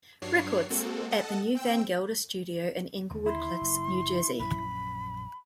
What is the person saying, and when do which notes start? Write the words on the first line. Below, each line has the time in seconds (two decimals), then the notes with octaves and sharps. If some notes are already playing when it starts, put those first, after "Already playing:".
Records, at the new Van Gelder Studio in Englewood Cliffs, New Jersey.
0.22 G2 F#3 D4 C#5 C7
0.70 G#3 A#3 C4 F#4 A4
1.11 A4 D#5 F#5 A5
1.55 C4 G5 E6
3.10 D#2 D3 G#3
3.26 E4 C6
3.61 F#1
4.39 A#1 F#2 C#4 B5